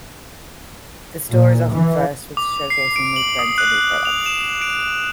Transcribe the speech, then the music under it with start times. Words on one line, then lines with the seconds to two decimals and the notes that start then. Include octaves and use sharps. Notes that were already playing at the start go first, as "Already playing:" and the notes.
The store is often first with showcasing new trends and new products.
1.31 A#2
1.73 E3
2.37 D6
2.70 C7
2.96 D7
3.16 F#7
3.39 D#6
3.58 F#6
4.05 F7
4.26 E7
4.62 D7